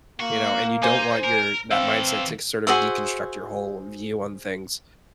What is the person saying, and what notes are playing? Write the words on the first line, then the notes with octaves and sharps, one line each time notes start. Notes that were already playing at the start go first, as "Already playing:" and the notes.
you know, and you don't want your that mindset to c sort of deconstruct your whole view on things.
A#3 F#4
D#4 C5 G#5 D6
A#4
E3 C4 A4 E5 F5 E6
F#4 G#4 C5 E5